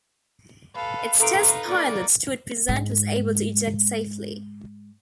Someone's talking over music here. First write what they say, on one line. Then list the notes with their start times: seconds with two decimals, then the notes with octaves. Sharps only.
Its test pilot, Stuart Present was able to eject safely.
0.75 A4 B4 F5
1.20 C3 D#4 A4 B4 F5 A#5 D7
1.68 A#3 D5
2.69 G#2 G#3